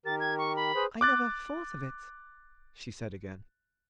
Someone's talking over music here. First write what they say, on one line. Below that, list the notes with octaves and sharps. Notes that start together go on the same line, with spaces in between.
"I never thought of it," she said again.
D#3 G4 A#4 A6
G#6
C#6
B5
G#4 B4 C5
D6 F#6 A6